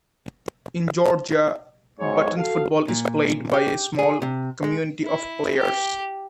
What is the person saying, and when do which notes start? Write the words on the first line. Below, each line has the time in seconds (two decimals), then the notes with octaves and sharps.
In Georgia button football is played by a small community of players.
2.00 B1 G#2 C#5
2.37 F#4 A4 F5
2.88 A#2
3.54 G4
3.99 G#4
4.22 C3
4.64 G#3
5.04 E4
5.56 G4